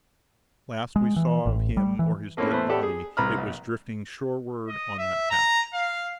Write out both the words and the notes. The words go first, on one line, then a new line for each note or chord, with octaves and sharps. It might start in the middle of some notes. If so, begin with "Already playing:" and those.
The last we saw of him or his dead body it was drifting shoreward on that hatch.
G#3
E3
A1
G3
E3
A3 A#3 C4 C#4 E4
E2 A3 B4 C5
B3 G4 A4 D5
G#4
C2 B4 A#5 B5 F6
A#1
D#5
E5
A#5
F5